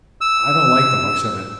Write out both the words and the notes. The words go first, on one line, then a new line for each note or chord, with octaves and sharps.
I don't like the looks of it.
E6